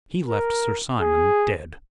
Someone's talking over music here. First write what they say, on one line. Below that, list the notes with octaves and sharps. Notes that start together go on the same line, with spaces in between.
He left Sir Simon dead.
A#4
G#4